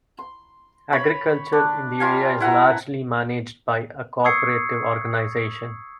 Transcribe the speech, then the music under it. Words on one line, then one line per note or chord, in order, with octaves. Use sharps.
Agriculture in the area is largely managed by a cooperative organization.
C6
C#5 B5
D4
G3 F4 F5 G#5
E4 F#5 G#5 A#5
C#6 D#6 E6 G#6 C7 C#7